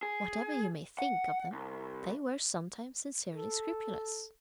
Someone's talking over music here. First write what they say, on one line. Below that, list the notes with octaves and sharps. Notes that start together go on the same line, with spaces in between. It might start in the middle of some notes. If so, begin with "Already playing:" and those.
Whatever you may think of them, they were sometimes sincerely scrupulous.
G#4
F#5
C2
A4